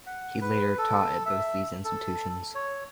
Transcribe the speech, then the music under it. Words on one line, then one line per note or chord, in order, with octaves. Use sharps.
He later taught at both of these institutions.
F#5
B4
A4
E5
A4
C#5